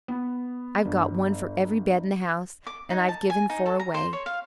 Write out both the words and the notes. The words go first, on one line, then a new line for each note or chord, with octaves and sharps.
I've got one for every bed in the house, and I've given four away.
B3
G1
D6
D#4
A5
G#5
D#4
A4
A#5
C5
C#5
F5